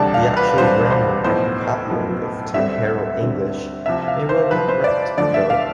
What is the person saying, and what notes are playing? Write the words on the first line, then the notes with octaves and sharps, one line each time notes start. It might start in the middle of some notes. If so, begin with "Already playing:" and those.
The actual grammar and vocabulary of "tankero English" may well be correct, though.
Already playing: E1 D2 C3 G3 D4 A5
F5
B4
E1 D2 C3 G3 D4 C5
C5
B1 A2 F3 B3 C5
B1 A2 F3 B3
D2 D3 G3 C4 E5
D2 D3 G3 C4
C2 C3 F3 E5
F5
C5
C2 C3 F3 B4
C5
D5
D2 D3 F3 A3 D5
E5
F5